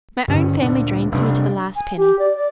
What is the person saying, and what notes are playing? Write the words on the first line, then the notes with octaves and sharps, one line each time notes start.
My own family drains me to the last penny.
G2 D3 C#4
D2 A#2 D4
F1 C3 G3 D4
G#5
G4
D5
D5